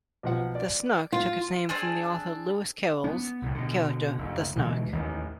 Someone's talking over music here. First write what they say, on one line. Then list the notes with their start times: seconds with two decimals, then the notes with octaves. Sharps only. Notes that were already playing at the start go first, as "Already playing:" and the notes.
The Snark took its name from the author Lewis Carroll's character the "snark".
0.23 B1 F3 F#5
0.55 D5
1.12 F4
1.69 C4 D4 G#4
3.04 B3 C#4
3.42 C2 A2
3.55 B2 D3
4.18 F#1 D2
4.56 D2 B2 E3 G#3
4.92 A1 D#2 D#3 E3